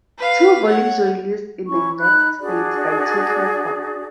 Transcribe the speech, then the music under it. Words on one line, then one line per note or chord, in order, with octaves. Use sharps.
Two volumes were released in the United States by Tokyopop.
B4 F5
C#5 F#5
C#4 E4 C#6
D#4 B5 F#6
D4 F#4 G#4 D5